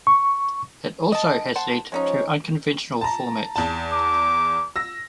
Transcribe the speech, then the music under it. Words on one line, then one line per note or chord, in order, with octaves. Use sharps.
It also has led to unconventional formats.
C#6
D#5 A5
C5 F#5 A5
F3 G#3 C#4 D#4 C#5
A5 A#5
E2 A5
D6
E6 A#6